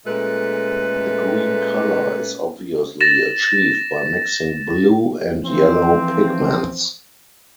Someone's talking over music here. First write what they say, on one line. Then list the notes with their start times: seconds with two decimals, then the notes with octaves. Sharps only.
The green color is obviously achieved by mixing blue and yellow pigments.
0.06 A#2 G#3 A3 C#4 A4 B4
3.01 A6 A#6 E7
5.44 E3 F3 C4